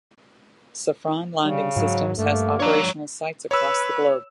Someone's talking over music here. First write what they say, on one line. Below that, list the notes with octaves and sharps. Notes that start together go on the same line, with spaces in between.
Safran Landing Systems has operational sites across the globe.
C#3 G3
G#2 F#3
G2 A3 A#3
D4 C#5 A#5
B4 C#5 E6